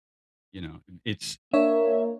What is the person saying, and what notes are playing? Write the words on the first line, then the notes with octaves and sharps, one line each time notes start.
you know, and it's
A#3 D4 A#4 C#5 E5